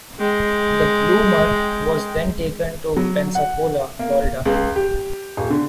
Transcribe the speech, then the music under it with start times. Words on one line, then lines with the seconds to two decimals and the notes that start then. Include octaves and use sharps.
The "Bloomer" was then taken to Pensacola, Florida.
0.19 G#3 G5
2.97 F#3
3.35 F#5
3.99 A#3
4.45 C#2
4.76 G4
5.37 D#1
5.50 D3